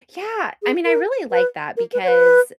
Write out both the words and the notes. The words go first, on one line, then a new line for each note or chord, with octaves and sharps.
Yeah. I mean, I really like that because,
G#4
A#4
B4
A#4
B4
C#5
B4